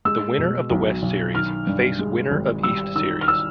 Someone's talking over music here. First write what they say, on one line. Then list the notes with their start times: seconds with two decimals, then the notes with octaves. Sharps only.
The winner of West series face winner of East series.
0.05 G#3 E6
0.38 B2
0.70 B1
1.02 B1
1.35 D#3 F6
1.67 G2
1.99 G#3
2.31 G#1
2.63 G3 E6
2.95 D#3 E6
3.21 F6
3.28 E6